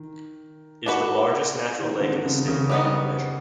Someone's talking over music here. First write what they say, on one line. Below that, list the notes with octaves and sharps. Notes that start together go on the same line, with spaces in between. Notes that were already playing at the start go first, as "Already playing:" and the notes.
It is the largest natural lake in the state by any measure.
Already playing: D#3
D4 F#4 B4
D#3
D3
C#3
C#3
G3 B3 D#4